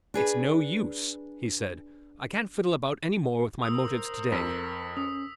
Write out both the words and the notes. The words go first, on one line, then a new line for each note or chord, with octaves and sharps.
"It's no use," he said, "I can't fiddle about any more with my motives to-day."
D4 G#4 B4
A#4 C5 D#6 E6
F2 E6 B6
C#4 D#6